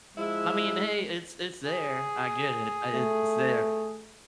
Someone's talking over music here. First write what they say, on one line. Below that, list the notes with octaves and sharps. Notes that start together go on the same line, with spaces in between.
I mean, hey, it's it's there. I get it. I It's there.
F3 G#3 E4
G#4
A3